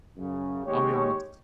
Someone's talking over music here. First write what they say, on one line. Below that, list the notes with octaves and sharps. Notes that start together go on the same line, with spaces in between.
I'll be honest.
F#2 C#3
D#2 G#3 G4 C#5